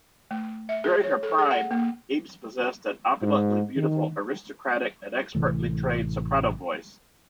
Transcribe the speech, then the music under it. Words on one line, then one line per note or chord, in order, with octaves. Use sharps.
During her prime, Eames possessed an opulently beautiful, aristocratic and expertly trained soprano voice.
A3
E5
G#4
C#5
A4
G#4
F#5
A#3
G#2
D#3
A1 C3 E3 A3